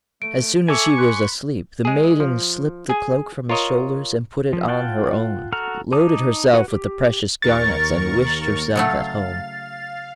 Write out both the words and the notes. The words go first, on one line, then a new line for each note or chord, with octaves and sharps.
As soon as he was asleep, the Maiden slipped the cloak from his shoulders and put it on her own, loaded herself with the precious garnets, and wished herself at home.
A3 D7
A4 E5 G#5 A5 C#6 D6
B5 C6 F#6 C#7
G#3 G#4
F3
G#4 G#5
F4 A#4 C#5 D#5
F3
F4 F#5 G5 A5
F#4 A4 F#5 A#5 F6
D#4 A5 D6 D#6
F#4 B4 F#5
G4
D#2 A#4 C#6 A6
C#3 F#3 A3 F5